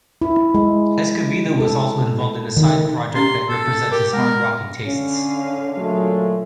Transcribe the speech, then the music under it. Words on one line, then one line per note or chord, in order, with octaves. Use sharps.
Escovedo was also involved in a side project that represents his hard-rocking tastes.
E4
G#3
A4
D#3
C#4 G4 A#5 C6
A4
G4 A#4
G#3 B3 A#4
D3 C#4 F5
A#2 F#3 G#3 A3